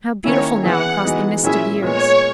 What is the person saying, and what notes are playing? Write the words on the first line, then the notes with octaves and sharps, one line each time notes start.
How beautiful now across the mist of years!
D#3 A#3 C#4 E4 C#5
E3 B3 E4 G#4 F#5
E3 G#3 B3 D#4 F#4
A#2 F#3 C#4 E4 G#4 E5
A#2 G#3 B3 C#5